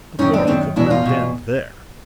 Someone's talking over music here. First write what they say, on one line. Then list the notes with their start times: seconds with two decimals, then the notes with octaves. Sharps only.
The quarrel could not end there.
0.19 F#2 D#3 C#4 D#4
0.33 C4 D4
0.47 F#2 D#3 C4 D4
0.76 E2 B2 D4 E4
0.90 D#4 F4
1.05 E2 B2